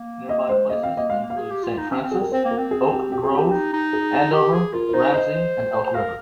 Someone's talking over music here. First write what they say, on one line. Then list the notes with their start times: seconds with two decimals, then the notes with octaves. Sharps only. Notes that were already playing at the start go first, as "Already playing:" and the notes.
Nearby places include Saint Francis, Oak Grove, Andover, Ramsey, and Elk River.
Already playing: A#3
0.29 A#3 D#5
0.39 A#3
0.49 G#3 C5
0.69 A#3 D#5
0.83 C4 F5
0.96 A#3 D#5
1.10 G#3 F5
1.23 A#3
1.30 F5
1.37 G#4
1.50 G4
1.63 F4
1.78 D#4
1.91 C#4
2.04 C4
2.11 G#4
2.21 A#4
2.32 C4 C5
2.45 A#3
2.51 A#4
2.58 C4
2.71 G#4
2.92 G4
3.12 G4
3.23 G#4
3.35 G4
3.52 D#4
3.73 D#4
3.93 G#4
4.33 G4
4.53 G#4
4.73 F4 A#4
4.89 A#4
4.94 D#4 C5
5.14 C5 D#5
5.34 C5
5.85 C5
5.95 A#4 F5